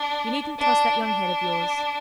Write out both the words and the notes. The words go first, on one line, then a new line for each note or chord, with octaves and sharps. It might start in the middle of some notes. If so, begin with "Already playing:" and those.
You needn't toss that young head of yours.
Already playing: D4
D4
D4